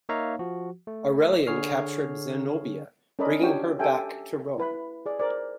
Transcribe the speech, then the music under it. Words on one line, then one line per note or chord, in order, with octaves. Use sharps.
Aurelian captured Zenobia, bringing her back to Rome.
A#3 D#4 C#5 E5 F5 A#5
F3 F#4
A3
D3 G#4 C#5 F6 C7
C#4 A4 A#4 D5 D#5 B5
D4 F#4 G4 C#5 G5
G4 A4 E5 G5 G#5
E4 B4 B5
G#4 D5
A#4 C5 D5